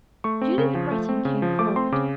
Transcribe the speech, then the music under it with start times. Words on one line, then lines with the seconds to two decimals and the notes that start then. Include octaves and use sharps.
Julie Le Breton came forward.
0.24 A3 C#6
0.41 C4
0.58 C#3
0.75 F3
0.91 A3
1.09 C4
1.25 C#3
1.42 F3
1.59 A3 D6
1.76 C4 C6
1.92 C#3 D6